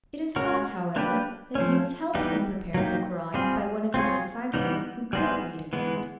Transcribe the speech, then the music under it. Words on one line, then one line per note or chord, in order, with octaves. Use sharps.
It is thought, however, that he was helped in preparing the Koran by one of his disciples who could read and write.
G#3 C#4 F#4 A#4
A#3 D4 G4 B4
F3 A3 C#4
E3 G3 B3 D#4 G4
F#3 A#3 D#4 G4
G3 C4 F4 G#4
C4 F4 G#4 C#5
E3 G3 B3 D#4
G3 B3 D#4 G#4 C5
E3 G#3 B3